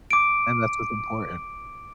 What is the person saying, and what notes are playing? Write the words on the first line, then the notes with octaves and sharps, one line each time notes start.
And that's what's important.
D6 D7